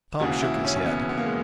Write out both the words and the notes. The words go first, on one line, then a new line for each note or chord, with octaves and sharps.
Tom shook his head.
E1 D#2 C#3 E3 F#4
E4
C#4
C#4
B3
B3
A#3
G#3